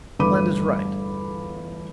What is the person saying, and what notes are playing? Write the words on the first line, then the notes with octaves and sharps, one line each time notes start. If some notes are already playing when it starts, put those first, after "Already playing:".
Land is right.
G1 E2 A3 B5 D6 D#7